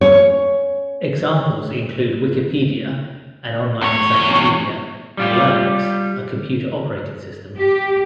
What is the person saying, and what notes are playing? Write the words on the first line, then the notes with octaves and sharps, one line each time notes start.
Examples include Wikipedia, an online encyclopedia, and Linux, a computer operating system.
C#4 C#5
E2 C#5
G3 F4 G4
G4